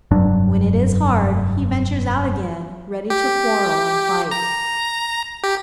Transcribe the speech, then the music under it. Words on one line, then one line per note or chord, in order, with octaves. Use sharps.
When it is hard, he ventures out again, ready to quarrel and fight.
F1 G2 F#3 D4
G4
A#5
G4